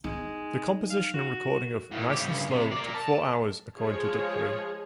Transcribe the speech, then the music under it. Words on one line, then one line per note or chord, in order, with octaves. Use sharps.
The composition and recording of "Nice and Slow" took four hours, according to Dupri.
G#3 D#4
F5
F#4
A2 D#3
C#3 G4
G2 C#3
C3
A#4 D5
A5
F3 G#3 G#4 C#5